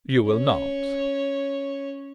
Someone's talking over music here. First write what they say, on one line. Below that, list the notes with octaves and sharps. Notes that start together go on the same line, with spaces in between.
"You will not."
C#4 C#5